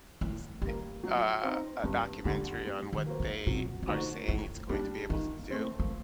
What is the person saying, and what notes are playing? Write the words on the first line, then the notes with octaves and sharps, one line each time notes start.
s eh uh, a documentary on what they are saying it's going to be able to do.
A2 A#3
G3 A3
A#3
F#3
C4 D#4
G2 A#3
D3 G3 A3
G3
D#3
A#3 F#4 C5
D3
C3 F#3
D#3
D3 A3 D#4 F#4 C5
A2 A3
G3 A#3 D4
D#3 A#3
A3 C4
A#3